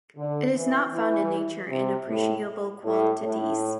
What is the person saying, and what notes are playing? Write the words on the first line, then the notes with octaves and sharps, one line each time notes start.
It is not found in nature in appreciable quantities.
D3
E3
E3
C3
A2
A2
A2